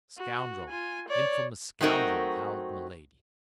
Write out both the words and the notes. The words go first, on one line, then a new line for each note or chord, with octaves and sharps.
"Scoundrel, infamous scoundrel!" howled Milady.
F#4
F4 G#5
C#5 D5
F#3 A3 C4 D#4 F#4 A#4